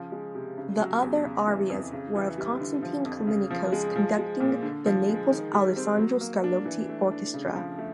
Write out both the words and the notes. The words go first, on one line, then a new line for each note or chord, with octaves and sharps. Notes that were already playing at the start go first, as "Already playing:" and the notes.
The other arias were of Constantine Callinicos conducting the Naples Allesandro Scarlotti Orchestra.
Already playing: C#3 F3
G#3
C3
C#3
F#3
E2
C#3
E3
F2
C#3
E3
G3
D3
F3
F2
C#3
F3
G#3
F3
G#3
A#2
D3
F3
G#3
D#3
G3
C4
F#3
A#3
D4
E3
A3
D4
C#3
F3
A3